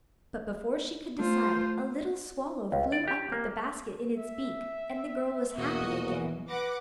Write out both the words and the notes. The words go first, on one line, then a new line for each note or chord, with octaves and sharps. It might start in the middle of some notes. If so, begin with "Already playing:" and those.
But before she could decide, a little swallow flew up with the basket in its beak, and the girl was happy again.
A3 F4 C5
C#2
D5
G4
A#3
E5
E2 B2 A#3 F#4 D#5
B4 F#5 D6 A#6